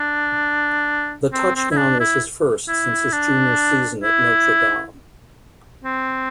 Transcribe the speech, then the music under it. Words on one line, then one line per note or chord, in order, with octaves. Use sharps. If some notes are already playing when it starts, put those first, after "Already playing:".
The touchdown was his first since his junior season at Notre Dame.
Already playing: D4
C4
C4
E4
D4
E4
E4
D4
E4
C4